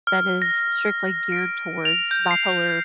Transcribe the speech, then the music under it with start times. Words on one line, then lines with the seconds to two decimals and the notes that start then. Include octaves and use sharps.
that is strictly geared towards bipolar
0.07 F6
0.42 A#6
1.32 D7
1.85 F7
2.11 G6
2.31 C7